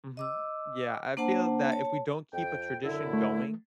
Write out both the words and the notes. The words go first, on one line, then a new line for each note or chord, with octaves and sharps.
Mhm. Yeah, I feel that if we don't keep a tradition going,
D#5 D6 E6
A#3 D4 C5 F#5 A5
C#5 A5
F2 G5
F#2 D3 E4
A3